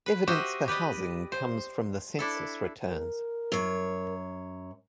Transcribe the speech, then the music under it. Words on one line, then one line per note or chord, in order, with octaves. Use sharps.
Evidence for housing comes from the census returns.
B4
F#4 G4 C5 D#5 E5
G4 B4 D5 D#5
C5
D4 E4 A4
A#4
F#2 C#5